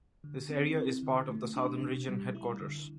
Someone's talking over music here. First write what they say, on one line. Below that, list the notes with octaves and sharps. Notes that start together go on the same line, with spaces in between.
This area is part of the Southern Region Headquarters.
D3
C4
E4
D3
A3
D4
C3
G3
E4
D3